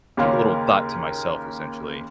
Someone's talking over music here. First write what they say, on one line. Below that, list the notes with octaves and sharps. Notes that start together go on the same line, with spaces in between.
a little thought to myself, essentially.
D#2 C#3 A#3 C#4 F5 C6